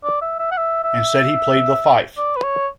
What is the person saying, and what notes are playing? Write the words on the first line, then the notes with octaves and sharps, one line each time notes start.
And said he played the fife.
D5
E5
E5
F#5
E5
E5
D5
B4
C#5